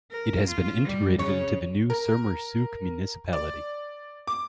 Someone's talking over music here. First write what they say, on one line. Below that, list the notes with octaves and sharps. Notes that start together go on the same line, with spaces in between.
It has been integrated into the new Sermersooq municipality.
A#4
F4
G3
C#3 C#5
A#4
D5
D6